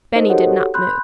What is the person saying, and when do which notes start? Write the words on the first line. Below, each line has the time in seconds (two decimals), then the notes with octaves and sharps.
Benny did not move.
0.16 D#4 A#4 C5 D#5
0.30 F#4 G4 A4 C#5 F#5
0.74 B5 C6 F#6 G6